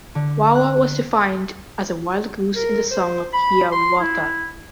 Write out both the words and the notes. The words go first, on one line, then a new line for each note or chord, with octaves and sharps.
Wawa was defined as wild goose in The Song of Hiawatha.
D3
F#6
A#4
C5
B5
C6
E4